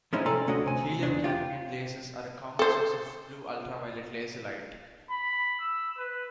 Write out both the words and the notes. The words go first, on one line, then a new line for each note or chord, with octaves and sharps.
Helium-cadmium lasers are a common source of blue-ultraviolet laser light.
F3 G#3 C#4 D#4 E4
C3 A4 D5 G#5 A#5 C6
D2 A3 C#4 D4 F#4 D#5
C3 G#5
E2 G2 C#3 D4
F4 G4
A4 C5
B5
E6
B4